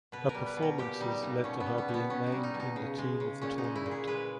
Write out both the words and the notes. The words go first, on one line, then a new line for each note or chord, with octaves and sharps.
Her performances led to her being named in the Team of the Tournament.
B2 B4
A#4
G3
B4
B2
A#4
A#2 G4
G3 D#4
A#2 D#4
B2 C#4
B3
G3
B3
B2
B3
B2 C#4
D#4
G3
D#4
B2
D#4
C#3
G#3
C#3
A#2 C#4
D#4
G#3
E4
A#2
G#4
G#3 B4